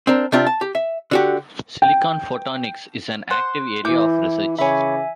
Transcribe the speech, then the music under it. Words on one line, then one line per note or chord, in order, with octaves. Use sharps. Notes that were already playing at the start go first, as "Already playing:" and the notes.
Silicon photonics is an active area of research.
C4 D4 A#4
C3 C4 D4 F4 G4
A5
G4
E5
D3 F#4 G4
G5
C5 F#5
E3 E4 D6 G6
C#3 C#5 E5 G#5 B5